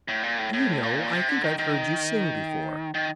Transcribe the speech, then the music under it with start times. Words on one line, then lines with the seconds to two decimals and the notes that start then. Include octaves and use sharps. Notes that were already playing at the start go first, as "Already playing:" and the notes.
"Do you know, I think I've heard you sing before."
0.08 A2
0.23 A#2
0.38 A2
0.53 A2
0.83 A#2
1.13 C3
1.29 D3
1.44 D#3
1.58 D#3
2.94 D#3